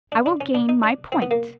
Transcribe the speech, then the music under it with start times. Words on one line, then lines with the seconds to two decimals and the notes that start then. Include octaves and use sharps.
I will gain my point.
0.12 D4
0.26 D4
0.41 C#4
0.55 D4
0.69 D#4
0.83 D4
1.12 C4
1.22 B3
1.31 A#3